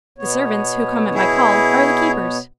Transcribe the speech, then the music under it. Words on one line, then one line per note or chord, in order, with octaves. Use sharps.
The servants who come at my call are the keepers.
B2 B3 C#5
E4 G#4